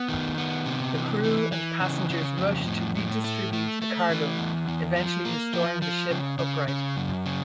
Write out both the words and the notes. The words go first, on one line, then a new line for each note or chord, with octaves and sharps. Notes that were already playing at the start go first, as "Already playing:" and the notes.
The crew and passengers rush to redistribute the cargo, eventually restoring the ship upright.
Already playing: B3
D#3
B3
C3
E3
E3
E3
C#3
C#3
F2
A2
A2
A3
A3
A3
E3
E2
E2
F3
A#3
F3
F3
C#3
C#3
C#3
F#2
C#3